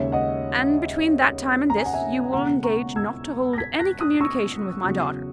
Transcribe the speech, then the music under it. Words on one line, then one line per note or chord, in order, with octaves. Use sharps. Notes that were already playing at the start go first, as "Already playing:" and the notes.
"And between that time and this, you will engage not to hold any communication with my daughter?"
Already playing: D#2 C#3 G#3 C#5 E5
D#5 F#5
A#5
G#5
F#5
E5 G#5
E1 E2 C#3 F#5 A#5
A#5 C#6
E6 G#6
A#6
G#6 B6
F#6 A#6
D#6 F#6
C#6 E6
E2 C#3 F#3